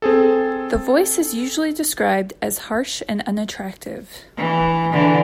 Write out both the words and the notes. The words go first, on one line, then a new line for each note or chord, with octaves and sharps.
The voice is usually described as harsh and unattractive.
C4 G#4 A4
E3
D3 E3